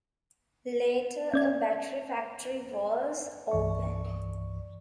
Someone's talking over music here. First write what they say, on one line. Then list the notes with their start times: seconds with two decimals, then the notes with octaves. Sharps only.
Later a battery factory was opened.
1.34 C#4 D5 G#6
3.51 C2 G2 E3 D5 C#6